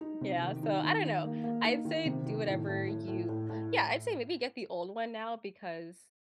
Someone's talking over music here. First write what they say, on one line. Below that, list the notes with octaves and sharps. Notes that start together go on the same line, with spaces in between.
Yeah, so I don't know. I'd say do whatever you Yeah, I'd say maybe get the old one now because
D#4
C3
D#3
D#4
D#3
D#4
A#3
A#3
D#4
D#3
C3
D#3
A2
A2
A2
A2
A2
A2